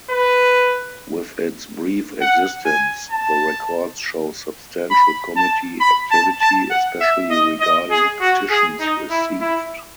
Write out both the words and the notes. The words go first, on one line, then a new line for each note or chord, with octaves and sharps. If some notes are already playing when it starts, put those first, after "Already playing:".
With its brief existence, the records show substantial committee activity, especially regarding petitions received.
B4
F#5
G#5
A5
B5
A5
B5
A5
A5
F#5
E5
D#5
D#5
G#4
F#4
G#4
D#4
E4
E4